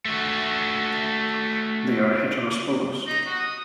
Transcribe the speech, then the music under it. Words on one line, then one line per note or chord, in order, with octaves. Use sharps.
They are heterosporous.
A3 F#4
D#4
F#4
D#6